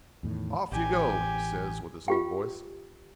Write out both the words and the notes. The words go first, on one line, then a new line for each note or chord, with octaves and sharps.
'Off you go,' he says, with his old voice.
E2 A2 D#3
A1 E3 G4 G#5
F4 G4 G5